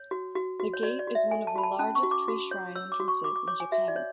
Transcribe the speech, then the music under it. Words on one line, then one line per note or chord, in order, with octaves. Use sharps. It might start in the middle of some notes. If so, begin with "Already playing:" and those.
The gate is one of the largest three shrine entrances in Japan.
Already playing: C#5
F#4
F#4
F#4
C#5
F#4 D5
D5
F#4
E5
A4 G#5
A5
F#4 B5
A5
C#4 A5
C#6
F#4
D6
F#4
C#5
C#5 E6
D6
F#4
C#6
F#4 D6
D6
C#5 D6
G#5
F#4 E5
D5
C#5